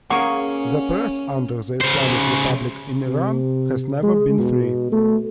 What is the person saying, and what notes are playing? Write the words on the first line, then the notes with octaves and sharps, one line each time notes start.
The press under the Islamic Republic in Iran has never been free.
A#3 C#4 G#4 A#4 F#5 C#6
C#3 C5
C3
G#3
B2
A3